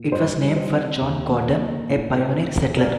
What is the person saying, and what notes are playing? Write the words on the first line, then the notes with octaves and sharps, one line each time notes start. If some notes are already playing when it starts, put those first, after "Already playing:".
It was named for John Gordon, a pioneer settler.
Already playing: A#2
G2 C5 D#5
G3
C5 D#5
C4
D#2
A#3
D#4
A2
C4
D#4
C3 A#4 D5